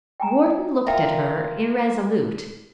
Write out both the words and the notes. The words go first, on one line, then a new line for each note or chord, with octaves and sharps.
Wharton looked at her irresolute.
G5 G#5 A#5
F4 A#4 E5 G5